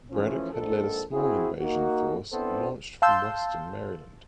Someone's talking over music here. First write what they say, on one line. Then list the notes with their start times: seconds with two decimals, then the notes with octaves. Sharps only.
Braddock had led a small invasion force launched from western Maryland.
0.11 E3 F3 A3 C#4
0.53 A#1 G#2 A4
1.13 C4 E4 F#4 G#4
1.61 A#3 D#4 F#4
2.33 B3 C4 D4 E4 A4 C5
3.02 F5 A5 C6 E6 G6